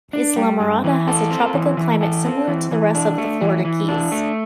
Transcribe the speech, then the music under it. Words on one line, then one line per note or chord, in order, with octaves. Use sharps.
Islamorada has a tropical climate similar to the rest of the Florida Keys.
D4
G3
G2
E3
A4
C4
E3
E3
A4
C4
E3
E3
D4
A3
E3
E3
D4
A3